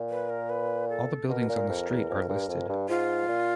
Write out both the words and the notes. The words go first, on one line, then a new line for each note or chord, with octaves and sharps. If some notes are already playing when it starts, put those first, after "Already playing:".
All the buildings on the street are listed.
Already playing: A#2
B4
A#4
B4
A4
B2 A#4
A#2
F2
E2
F2
G2
F2
G2
G#2 F4
A#2